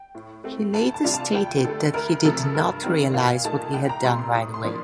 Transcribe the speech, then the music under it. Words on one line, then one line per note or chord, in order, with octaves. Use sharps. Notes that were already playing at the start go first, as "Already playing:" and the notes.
He later stated that he did not realize what he had done right away.
Already playing: G5
A2
A3 C4
D2 A5
A5
C3 G3 D4 F4
A5
D2 G5
D3 A3 A4
D2 A#4
C3 F3 A3 A4
G2 A#4
D#3 G3 C4
A#2 F5
A3 D#4 A5
C2 G5
A#5
C3 G3 C6
C6
A2 D#6
C6
F3 A#3 D4